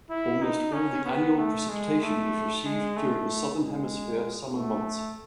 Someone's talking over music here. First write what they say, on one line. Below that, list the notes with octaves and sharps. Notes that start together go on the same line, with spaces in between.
Almost all the annual precipitation is received during the southern-hemisphere summer months.
E4
D#4
C#4
B3
A3
G#3
A3
G#3
A3
G#3
A3